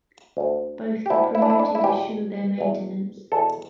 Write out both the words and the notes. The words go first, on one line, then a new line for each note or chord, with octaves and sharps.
Both the promoted assure their maintenance.
D2 D3
G4
D2 D3 E4
E4
D4
E4
D4
E4
E2 B2 G4
E2 B2
E2 B2 A4